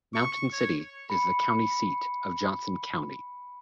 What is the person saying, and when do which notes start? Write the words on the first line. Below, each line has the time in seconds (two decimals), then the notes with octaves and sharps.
Mountain City is the county seat of Johnson County.
0.14 C#6
0.53 C#5
1.10 B5 C#7